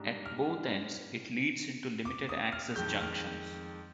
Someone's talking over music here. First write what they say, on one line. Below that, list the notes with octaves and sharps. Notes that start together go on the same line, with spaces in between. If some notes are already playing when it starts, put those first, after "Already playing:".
At both ends it leads into limited-access junctions.
Already playing: G#2 G3 D4
F6
D6
D#6
F6
F2 D#3 G#3 G6
F6